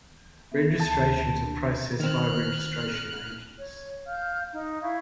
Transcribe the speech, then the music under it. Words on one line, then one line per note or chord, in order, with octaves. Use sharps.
Registrations are processed via registration agents.
B3 E5
D2 D#3 A5
D4
D#3 C4 F6 F#6
C#5
F5 F6 G6
D#4
E4 F5 C#6 G#6